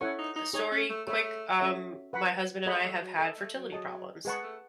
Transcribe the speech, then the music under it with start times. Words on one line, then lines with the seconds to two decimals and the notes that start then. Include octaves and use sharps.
the story, quick. Um, my husband and I have had fertility problems.
0.01 C#4 E4 A4 C#5 F#5 C#6
0.18 D#4
0.36 D#4
0.53 D#4 G#4 C#5 G#5
0.72 C#4
0.89 A3
1.07 A3 G#4 C#5 E5 B5
1.60 C#4 F#4 A4 C#5 E5
2.13 B4 F#5 B5
2.66 A3 G#4 D#5 F#5 B5
2.84 A3
3.01 F#3
3.19 A4 D#5 A5
3.37 A3
3.54 F#3
3.72 G#4 D#5 A5
4.25 G#3 G#4 B4 F#5 A5 C#6
4.43 A3